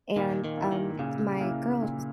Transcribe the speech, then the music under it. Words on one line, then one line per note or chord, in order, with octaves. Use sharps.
and, um, my girl
A#2 D#3
D#3
A#3 E4
D#3
A#2 C#3
A#3 E4
A#2